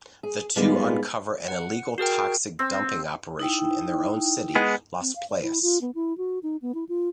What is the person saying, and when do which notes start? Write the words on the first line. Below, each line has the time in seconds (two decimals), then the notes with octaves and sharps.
The two uncover an illegal toxic dumping operation in their own city, Las Playas.
0.23 G#4
0.56 G#2 G3 G#3 A#3 B3 F4
1.48 F#5
1.98 F#4 G#4 A#4 G5
2.59 C4
3.39 D#4 E4 G5
4.55 G#3 B3 G#4
5.00 C4
5.16 F5
5.30 D5
5.42 E4
5.63 F4
5.81 B3
5.95 E4
6.18 F#4
6.43 D#4
6.62 B3
6.75 E4
6.89 F4